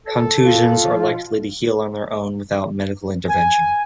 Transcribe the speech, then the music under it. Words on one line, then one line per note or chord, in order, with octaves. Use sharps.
Contusions are likely to heal on their own without medical intervention.
A4
F4
F3
B2
G#5